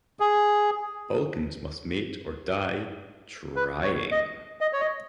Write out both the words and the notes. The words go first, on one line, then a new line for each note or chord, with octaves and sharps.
Vulcans must mate or die "trying".
G#4
B4
C#5
D#5
D#5
C#5
D#5